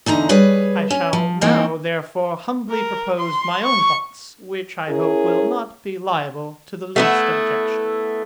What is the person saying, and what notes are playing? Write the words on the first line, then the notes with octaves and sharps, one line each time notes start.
I shall now therefore humbly propose my own thoughts, which I hope will not be liable to the least objection.
E2 D3 D#4 A#5
G3 G#4 B4 C#5
C#4
F3
E3 A#3 C4 D#4
A#4
C6
C#6
C#4 E4 G#4 A#4
A3 B3 E4